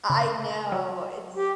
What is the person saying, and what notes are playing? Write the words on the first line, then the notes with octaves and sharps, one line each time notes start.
I know. It's
C#3
F#3
G4